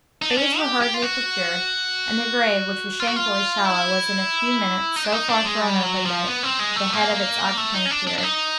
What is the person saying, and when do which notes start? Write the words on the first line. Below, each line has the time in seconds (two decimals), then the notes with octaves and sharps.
Spades were hurriedly procured, and the grave, which was shamefully shallow, was in a few minutes so far thrown open that the head of its occupant appeared.
0.22 D#4
0.30 D4
0.38 C#4
0.59 G4
0.82 G4
0.94 F4
1.02 F#4
3.00 F4
3.07 F#4
3.16 F4
3.65 E4
4.96 D#4
5.05 D4
5.12 D#4
5.29 D4
5.45 G#3
5.61 G3
5.83 F#3
6.05 F3
6.27 B3
6.43 C4
6.59 G#3
6.76 A3
6.93 A#3
7.57 A3
7.74 D#4
7.86 C#4
7.91 D4
8.07 D4
8.18 D4
8.23 D#4